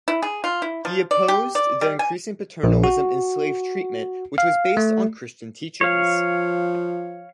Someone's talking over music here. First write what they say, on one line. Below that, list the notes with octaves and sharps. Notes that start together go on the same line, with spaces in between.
He opposed the increasing paternalism in slave treatment which was based on Christian teachings.
E4
G#4
F4
E4
F3
D5
G4
D5
G3
G#5
A#1
F#4
F5
A3
F3 C#5 F5